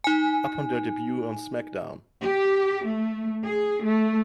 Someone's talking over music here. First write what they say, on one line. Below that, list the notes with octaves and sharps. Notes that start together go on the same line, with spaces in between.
Upon their debut on SmackDown!
D#4 G#5
G4
A3
G#4
A3